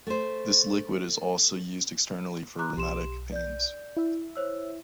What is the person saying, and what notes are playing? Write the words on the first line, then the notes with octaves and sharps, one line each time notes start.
This liquid is also used externally for rheumatic pains.
A3 C5
A#5 D6 F#6
B1 G4 C6 E7
D5 G6
E4 E5
C5 C#5 E6